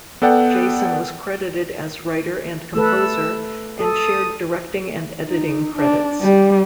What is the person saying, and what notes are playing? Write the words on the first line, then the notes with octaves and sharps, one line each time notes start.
Jason was credited as writer and composer, and shared directing and editing credits.
B3 A4 D5 F#5 G5
A3 A4 B4 E6
A4 D#6
D#4
D4
G3